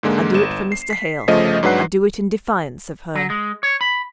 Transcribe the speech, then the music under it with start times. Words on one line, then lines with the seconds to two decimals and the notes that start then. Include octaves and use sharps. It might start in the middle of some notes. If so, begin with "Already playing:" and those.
I do it for Mr. Hale; I do it in defiance of her.'
0.03 G#2 D3 G#3 A#3
0.34 G1 E7
0.72 C7
0.90 B6 C7
1.27 G1 C#3 F3 A3 D#5
1.63 G#2 F#3 D4 B4 F#5 C7
3.15 F#3
3.30 G#3
3.63 C#5
3.81 B5